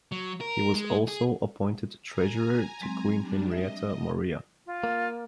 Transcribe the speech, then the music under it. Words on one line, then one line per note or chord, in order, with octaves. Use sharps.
He was also appointed treasurer to Queen Henrietta Maria.
F#3
A#4
G#3
G#4
G#5 A#5
F#3 G#3 C4
G3 D4
D#5 E5
F4
A#3